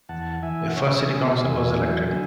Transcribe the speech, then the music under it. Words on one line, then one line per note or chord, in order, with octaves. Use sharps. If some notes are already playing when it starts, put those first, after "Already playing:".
A first City Council was elected.
E2 F#5 A5
E3 E5 G#5
F#5
C#3 C#5 E5
B3 E5 G#5
E2 E5 G#5
F#3
D3 E5 G#5